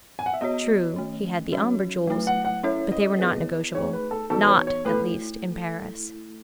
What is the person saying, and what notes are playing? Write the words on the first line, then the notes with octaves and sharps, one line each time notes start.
True, he had the Omber jewels; but they were not negotiable--not at least in Paris.
G#5
F#5
E5
B3 F#4 C#5 D#5
D#3 A3 C#4
F#3 C#4 F#4 C#5
F#3 A3 E4 B4
F#5
F#5
C#4 E4 A4 C#5 E5
D#5
B3 E4 G#4 B4
A3 D#4 G#4 C#5
B4
A4
E3 B3 D#4 F#4 A4
B4
C#5
C#5
A3 E4 A4 B4